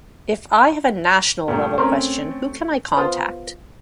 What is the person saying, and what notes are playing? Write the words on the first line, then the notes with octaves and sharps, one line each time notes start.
If I have a national level question, who can I contact?
G2 A#2 A3
C4 C#4 A#4 C5
B3 F4 C5